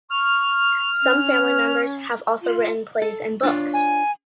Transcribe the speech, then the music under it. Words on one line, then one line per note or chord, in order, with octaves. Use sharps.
Some family members have also written plays and books.
C#6 F6
C#4
F4
A4
D4 F4 C#5
G#5